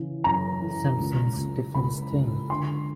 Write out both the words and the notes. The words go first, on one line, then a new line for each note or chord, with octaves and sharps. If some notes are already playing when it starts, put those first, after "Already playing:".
Simpson's defense team.
Already playing: C#3 E3
F#2 A#5
E3
C#2
C#2
C#2 B5
C#2
D3 C6